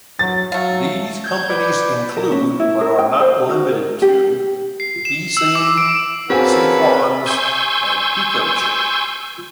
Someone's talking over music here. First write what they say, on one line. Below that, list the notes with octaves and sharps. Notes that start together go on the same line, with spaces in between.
These companies include, but are not limited to, Beceem, Sequans, and PicoChip.
F#3 A6
F#3 A3 F5
G6 G#6
B4 D5
A#4
C#4
E4
A#4
G5
C5
F#4
A#4
G4
C7
E7
E6
D6
D7
A#3 C4 C#4 F#4 G#4 A4 B4 G#5
G#5 C6 C#6 E6 G6